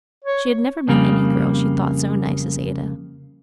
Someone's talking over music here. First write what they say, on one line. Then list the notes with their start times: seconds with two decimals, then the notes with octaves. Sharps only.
She had never met any girl she thought so nice as Ada.
0.25 C#5
0.88 F2 C#3 G3 A#3